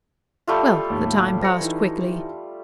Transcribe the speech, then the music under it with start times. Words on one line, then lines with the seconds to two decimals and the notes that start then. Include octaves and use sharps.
Well, the time passed quickly.
0.47 G3 A3 F4
0.90 D#2 A2
1.41 C5 A#6 C#7
1.61 E3 D#4